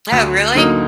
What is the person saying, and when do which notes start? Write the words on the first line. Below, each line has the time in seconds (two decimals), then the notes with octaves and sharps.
Oh, really?
0.12 D2
0.55 D3 F#3 A#3 D#4